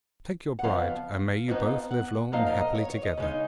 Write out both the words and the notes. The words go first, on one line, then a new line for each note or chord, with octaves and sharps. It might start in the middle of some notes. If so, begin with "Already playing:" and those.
Take your bride, and may you both live long and happily together!'
F#5
F2 C#3 F3 B3 F5
F2 F3 B3 D#4
F#5
A#2 F3 A#3 D#4 F5
F5
D#5
C#5
C#5
D#5
C#3 G#3 D#4